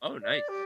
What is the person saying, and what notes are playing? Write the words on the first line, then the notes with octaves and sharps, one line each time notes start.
Oh, nice.
D5
G4